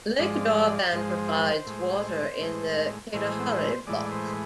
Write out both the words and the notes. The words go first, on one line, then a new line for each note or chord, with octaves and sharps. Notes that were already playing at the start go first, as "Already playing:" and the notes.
Lake Darvan provides water in the Katehari block.
G#2 F3 G#3 D5
G#2 F3 G#3 C5
A2 G#3
A2 G#3
A2 E3 G#3 C5
A2 E3 G#3 D5
C5